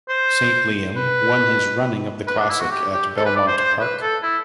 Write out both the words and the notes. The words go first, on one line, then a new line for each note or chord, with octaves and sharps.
Saint Liam won his running of the Classic at Belmont Park.
C5
B4
B4
D4
E4
F#4
G4
G4
A4
B4
D5
C5
C5
B4
A4
E4